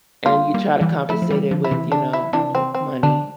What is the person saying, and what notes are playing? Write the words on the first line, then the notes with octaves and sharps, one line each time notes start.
and you try to compensate it with you know, with money.
G3 A#3 F4
G3 A#3
E3 G3
F3 A3 E4
F3
E3 G3
D3 F3
E4
C3 E3
D3 D4
E4
C3 E3 D4
C4
C4
D3 D4